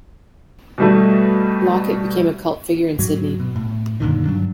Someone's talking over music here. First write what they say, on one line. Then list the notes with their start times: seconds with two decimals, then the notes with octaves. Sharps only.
Lockett became a cult figure in Sydney.
0.78 B2 G3 A3
2.99 G#2 F#3
3.40 B2
3.56 A2
4.00 F#2 A#2 D3 D#3
4.25 G2 F#3 D4